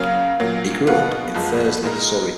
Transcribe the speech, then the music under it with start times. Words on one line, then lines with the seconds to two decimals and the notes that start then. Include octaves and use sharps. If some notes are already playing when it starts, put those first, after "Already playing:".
He grew up in Thursley, Surrey.
Already playing: C#3 F#3 A#3 C#4 F5
0.40 A#2 F#3 A#3
0.87 B2 A#3 F4 B4 F#5
1.35 F#1 F2 F3 G#3 B3
1.82 A#2 G#3 D#4 A#4